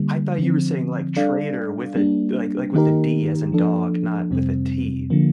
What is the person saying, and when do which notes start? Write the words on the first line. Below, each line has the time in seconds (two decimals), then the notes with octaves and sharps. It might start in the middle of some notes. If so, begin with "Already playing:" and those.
I thought you were saying, like, trader with a, like like, with a D as in dog, not with a T.
Already playing: D3 G3 A#3
0.39 D3 F3 C4
1.16 G3 D4 A4 D5 F5
1.95 G3 A#3 D4
2.74 D#3 A#3 D#4 G4 A#4
3.52 F3 A#3 D4 A4
4.31 F2 C3 G3 C4
5.10 D3 F3 A#3